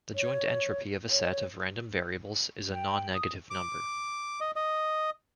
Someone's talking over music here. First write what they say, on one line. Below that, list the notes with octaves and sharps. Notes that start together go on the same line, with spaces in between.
The joint entropy of a set of random variables is a nonnegative number.
C#5
C#5
G5
D#6
D6
D#5
D#5